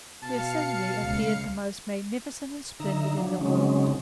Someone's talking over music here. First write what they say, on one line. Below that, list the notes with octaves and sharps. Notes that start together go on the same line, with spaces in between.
The assembly appeared the most magnificent and splendid in the world.
B2 F5 A5 C#7
C#2
D3 D#4 E5 A#5
F3 F#3 D4
C#3 F#3 G#3 C4 C#4 D#4